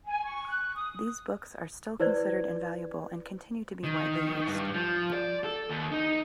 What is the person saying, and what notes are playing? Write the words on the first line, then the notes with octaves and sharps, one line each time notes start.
These books are still considered invaluable and continue to be widely used.
G#5
C#6
F#6
D#6
E4 B4 C5 D5 G#6
D#3
G2
F3
D5
A4
D#2
D#4